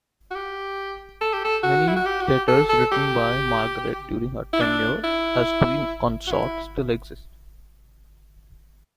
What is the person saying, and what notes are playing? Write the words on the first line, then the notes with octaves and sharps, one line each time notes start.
Many letters, written by Margaret during her tenure as queen consort, still exist.
F#4
G4
A4
G4
A4
F#4
E4
F#4
G4
F#4
G4
A4
A4
G4
E4
D4
E4
F#4
E4